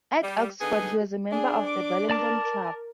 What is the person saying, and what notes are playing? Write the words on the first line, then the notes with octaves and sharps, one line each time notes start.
At Oxford he was a member of the Bullingdon Club.
G3
D3 B3 D#4 G#4
D4 G#4
D6
A#4 D5 A5 D6